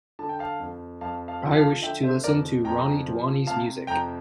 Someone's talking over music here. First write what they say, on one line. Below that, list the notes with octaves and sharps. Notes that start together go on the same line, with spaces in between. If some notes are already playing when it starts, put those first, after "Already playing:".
I wish to listen to Roni Duani 's music.
D3 A5
G5
F5 A5
F2
F2 F5 A5
F5 A5
F3
F5 A5
D3 E5 G5
C5 E5
F2 A#4 D5
F2 G5 A#5
F3
C3 F5 A5
F2 G5 A#5